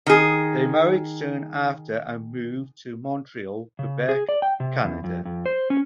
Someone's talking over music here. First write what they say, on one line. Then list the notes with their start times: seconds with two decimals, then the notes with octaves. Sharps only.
They married soon after and moved to Montreal, Quebec, Canada.
0.06 D#3 G#4
3.79 C#3
4.09 G#4
4.29 D5
4.42 G5
4.60 C3
4.84 E2
5.04 F2
5.25 F2
5.46 C5
5.70 C#4